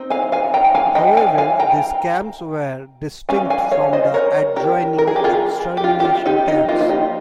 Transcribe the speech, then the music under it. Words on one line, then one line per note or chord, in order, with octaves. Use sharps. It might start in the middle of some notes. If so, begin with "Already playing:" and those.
However, these camps were "distinct from the adjoining extermination camps".
Already playing: C4 D#4
F5 G#5
F5 G#5
G5 A#5
F5 G#5
D#5 G5
F5 G#5
F5 G#5
G5 A#5
G3 C#4 F5 G#5
F5 G#5
C#5 F5
C5 D#5
A#4 C#5
G4 A#4
A#4
G#4
G4
F4 G#4
G4
F4
G4
F4
D#4 G4
D#4
F3 A#3 D#4 F4
F4
D#4 G4